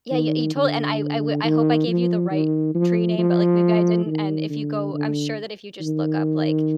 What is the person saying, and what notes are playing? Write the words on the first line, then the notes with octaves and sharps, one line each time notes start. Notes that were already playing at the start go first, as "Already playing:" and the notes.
Yeah ye you told and I I w I hope I gave you the right tree name, but, like, maybe I didn't, and if you go I'm sure that if you just look up, like,
D#3
D3
D#3
F3
D#3
F3
F3
D#3
D3
D3
D#3